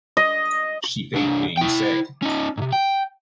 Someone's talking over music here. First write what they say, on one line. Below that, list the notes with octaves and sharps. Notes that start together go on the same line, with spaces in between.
She faked being sick.
D#5
C2 D4
E4 G5
C#4 D#4
G#2 C3
G5